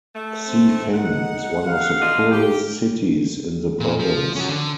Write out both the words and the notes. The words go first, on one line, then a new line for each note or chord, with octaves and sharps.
Xifeng is one of the poorest cities in the province.
A3
C4
D#4 F#5
F5
D4 F4 D#5
G4
A#2
F3
C#4 F#4
D3